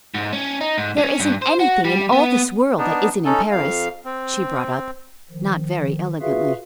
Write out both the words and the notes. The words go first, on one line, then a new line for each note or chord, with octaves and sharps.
"There isn't anything in all this world that isn't in Paris," she brought up, not very elegantly.
G#2
C#4
D#4
G#2
C#4
G2
C5
F#4
G3
B3
B3 D4 D#4
C#4 D#4 A4
F2 F5
C4
D#3 F3
F4 F#4 G#4 B4 E5 F5